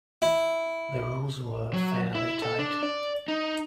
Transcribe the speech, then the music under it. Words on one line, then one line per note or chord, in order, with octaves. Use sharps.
The rules were fairly tight.
E4
F#3
E4
A4
D4
D5
D#4